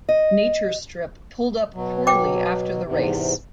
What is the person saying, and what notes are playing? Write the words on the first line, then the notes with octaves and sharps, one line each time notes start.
Nature Strip pulled up poorly after the race.
D#5
B2 F#3
G5 D6
E2 G#2 C3